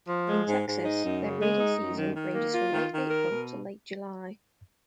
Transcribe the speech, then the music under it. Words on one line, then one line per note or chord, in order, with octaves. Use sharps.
In Texas, their breeding season ranges from late April to late July.
F3
G#3
G#2
G#2
D#4
F#2
C#3
G#3
D#4
F#2
D#3
D#3
A#3
F4
D#3
D#3
A#4
B2